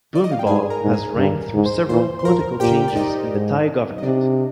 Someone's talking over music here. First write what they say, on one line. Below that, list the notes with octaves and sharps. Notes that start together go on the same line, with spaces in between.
Bhumibol has reigned through several political changes in the Thai government.
D5
D#5
F5
G5
G#2 G#4 G#5
A#4 A#5
G#2
G#4 G#5
G2
G#2
C5 C6
A#2 C5 C6
C6
F3 A#4 A#5
A#2 G4 G5
D5
D#4 D#5
G#2
D#5
C3 D4 D5